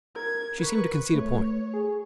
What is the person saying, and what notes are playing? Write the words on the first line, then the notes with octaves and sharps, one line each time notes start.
She seemed to concede a point.
A#4 G#6
B4 C#6
A3 C#5
G#4